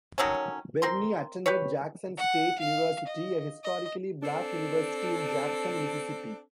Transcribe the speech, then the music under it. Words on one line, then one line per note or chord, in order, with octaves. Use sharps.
Barney attended Jackson State University, a historically black university in Jackson, Mississippi.
D#3 F#3 A3 C#4
C4 A#4 C6
G4 B4 C#5
F#5
F5
D#5
D#5
C4 D4 A4